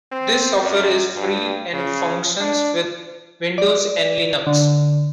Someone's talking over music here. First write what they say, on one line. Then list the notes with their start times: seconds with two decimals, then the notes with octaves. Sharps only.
This software is free and functions with Windows and Linux.
0.12 C4
0.63 F#2
1.17 G2
1.74 C#3
2.40 D4
3.58 D5
4.47 D3